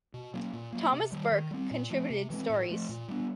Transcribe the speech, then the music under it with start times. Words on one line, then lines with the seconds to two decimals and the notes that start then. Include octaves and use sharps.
Thomas Burke contributed stories.
0.14 B2
0.34 F#3 A#3 C#4
0.53 A#2
0.72 F#3 A#3
0.92 C3
1.12 D#3 G3
1.32 D#3
1.51 G3 C4
1.71 A#2
1.90 F3 A3 C4
2.10 C3
2.30 E3 G#3 C4
2.49 A2
2.69 F3 A3
2.89 A#2
3.08 G3 B3 D4